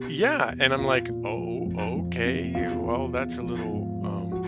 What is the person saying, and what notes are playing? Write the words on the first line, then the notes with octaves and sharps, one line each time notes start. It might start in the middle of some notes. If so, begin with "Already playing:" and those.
Yeah. And I'm like, "Oh oh okay, y well, that's a little, um
Already playing: B2 G4
B2
E2
A#2 F4
A#2
F3
F2
F2
C3
E2 F4
E2
E2
F3
G#2
F3
F#4